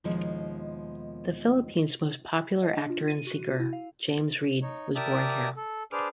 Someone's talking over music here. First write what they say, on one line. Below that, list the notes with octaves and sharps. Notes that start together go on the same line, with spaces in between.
The Philippine's most popular actor and singer James Reid was born here.
D#2 B2 F3 G#3 D#4 E4
D#5
D4
F4
D#7
F#4
E4
F5
D#4 C#5
G4 A#4 D5 E5 A5 D#6
A4
D4 G#4 B4 C5 D6 F6